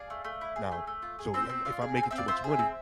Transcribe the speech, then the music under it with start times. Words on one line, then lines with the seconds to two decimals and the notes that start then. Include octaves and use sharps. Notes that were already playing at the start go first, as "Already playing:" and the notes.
now, so you I I if I'm making too much money,
Already playing: G#4 D5 F5
0.10 A3
0.25 A3
0.41 E4
0.56 G#4
0.72 A3
0.87 A3
1.02 F4
1.19 G#4
1.34 C4 C5 E5
1.49 C4
1.65 F4 D5 F5
1.82 G#4
1.96 C4 G#5
2.03 F5
2.11 C4 E5
2.18 D5 F5
2.28 F4 C5 E5
2.44 G#4
2.59 C4